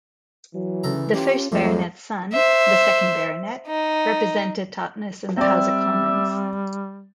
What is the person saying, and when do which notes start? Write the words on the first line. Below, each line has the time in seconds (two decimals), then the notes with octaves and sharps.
The first Baronet's son, the second Baronet, represented Totnes in the House of Commons.
0.55 E3 F#3
0.83 D2 C#3 A4 A#5
1.14 A#3 C#4 F4 G4
1.52 C2 F2 G#2 C3 F3 A3
2.33 C5 E5
3.67 D#4
5.37 G3 C4 D5 E5